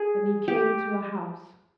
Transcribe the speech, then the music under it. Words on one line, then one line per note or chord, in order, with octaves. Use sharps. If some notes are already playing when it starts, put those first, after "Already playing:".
Then he came to a house.
Already playing: G#4
G4